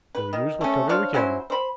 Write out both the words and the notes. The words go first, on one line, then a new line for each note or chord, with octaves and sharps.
"We'll use what cover we can."
B4
D#3
A3 C#4
D4 C5 C#5 F5
F#3 C#4 E4 C5
C5 B5